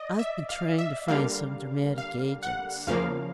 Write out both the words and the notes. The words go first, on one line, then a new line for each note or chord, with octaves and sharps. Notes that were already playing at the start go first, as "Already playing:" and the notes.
"I've been trying to find some dramatic agents."
Already playing: D5 D#5
E5
F5
E5
D3 G3 A#3 F5
F5
F#5
E2 C#3 F3 A#3 F5